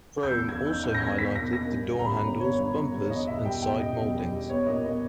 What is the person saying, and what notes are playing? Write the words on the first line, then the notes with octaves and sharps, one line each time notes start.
Chrome also highlighted the door handles, bumpers, and side mouldings.
G6
E2 E6
E2 G#6
D#4 G6
D#4 G6
A#6
E2 G#6
E2 B6
B2 A#6
A#3 A#6
G2
G1
A#5
G3 B5
G1
B3 C#5
G2
G1
G2
C#5
E2 D#5
B2 E5
G3 G5
E2 G5
B2 D#5
B2
E2
G3
B3 C#5
A#2 D#5
B3 D#5